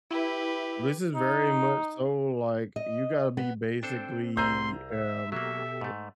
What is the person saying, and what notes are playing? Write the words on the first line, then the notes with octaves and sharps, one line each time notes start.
this is very much so, like, you gotta be basically, um
E4 G4 B4
D#4
D#5
B3
C4 D4 A4 C5 G5
C2 G#4 A#5 C6 E6 G6
E5
B2 F#3 A#3 G4 A4 E5
G#2 A3